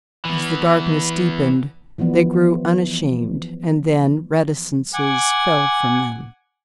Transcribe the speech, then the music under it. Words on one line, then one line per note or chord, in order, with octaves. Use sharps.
As the darkness deepened, they grew unashamed and then reticences fell from them.
E3 B3
E3 F3 G3 B3
F#5 G#5 D6